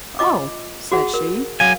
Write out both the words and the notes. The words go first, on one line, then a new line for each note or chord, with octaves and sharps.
"Oh!" said she.
F4 D#5 D6
F#4 G#4 F#5
A#4
F#3 F5 G#5